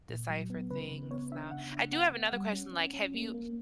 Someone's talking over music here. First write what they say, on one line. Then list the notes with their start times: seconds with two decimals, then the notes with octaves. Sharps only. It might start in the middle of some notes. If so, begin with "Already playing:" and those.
decipher things now, I do have another question, like, have you
0.09 A#2
0.29 F#3
0.50 B3
0.71 C#3 B4
0.91 C#3
1.11 B3 C#5
1.32 D4 E5
1.51 C#3 F#5
1.72 D4
1.92 B3 F#5
2.12 B3
2.33 G3
2.53 C#4
2.73 C#4
2.93 C#4
3.14 A#3
3.34 A#3